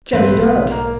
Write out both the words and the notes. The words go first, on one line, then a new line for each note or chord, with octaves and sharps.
"Jemmy Dadd."
G2 E3 G3 C4 B4
B1 G#2
A#3